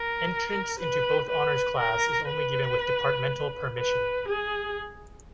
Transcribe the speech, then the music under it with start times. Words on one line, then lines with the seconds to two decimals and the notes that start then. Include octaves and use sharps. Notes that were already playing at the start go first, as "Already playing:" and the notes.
Entrance into both honors class is only given with departmental permission.
Already playing: A#4
0.79 B4
1.29 B4
1.79 A#4
2.28 B4
3.78 B4
4.28 G#4